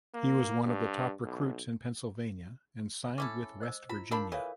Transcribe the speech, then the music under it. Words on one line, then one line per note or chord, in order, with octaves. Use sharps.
He was one of the top recruits in Pennsylvania and signed with West Virginia.
A#3
G2
B1
C#4 E4 A4 D6
C5 D#5 E6
E4 F4 A#5 B5
F3 D4 A#4 B5
E3 A4 C#5 F5